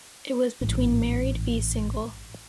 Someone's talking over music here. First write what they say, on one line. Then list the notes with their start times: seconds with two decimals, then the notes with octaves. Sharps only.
It was between Married v Single.
0.61 A1 G#2